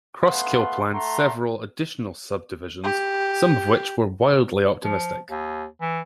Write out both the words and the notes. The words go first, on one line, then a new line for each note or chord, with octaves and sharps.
Crosskill planned several additional subdivisions, some of which were wildly optimistic.
A3 B3 F5 C6
A3 F#5 A#5 C6
G4
F3
D#2
E3